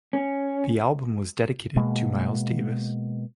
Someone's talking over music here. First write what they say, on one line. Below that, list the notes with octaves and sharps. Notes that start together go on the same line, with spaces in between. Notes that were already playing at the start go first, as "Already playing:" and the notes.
The album was dedicated to Miles Davis.
C#4
B2 G#3 A#3